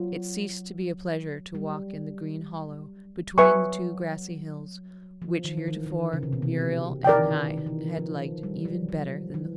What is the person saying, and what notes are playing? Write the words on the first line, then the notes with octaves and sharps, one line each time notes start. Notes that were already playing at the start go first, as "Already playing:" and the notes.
It ceased to be a pleasure to walk in the green hollow, between the two grassy hills, which heretofore Muriel and I had liked even better than the Flat.
Already playing: F#3 F4
G3
F#3 B4 E5 G#5 C#6
F3
D#3
D#3
E3
D#3
E3
C#3
C3
B2
C3
D#3 A#4 D5 G5
E3
D#3
D#3
D#3
E3
F3
G3
F#3
F3
E3